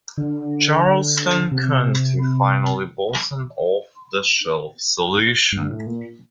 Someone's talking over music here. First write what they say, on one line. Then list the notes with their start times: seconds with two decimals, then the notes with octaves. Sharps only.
Charleston County finally bought an off the shelf solution.
0.18 D3
1.52 C3
5.52 G2
5.70 A2
5.86 A#2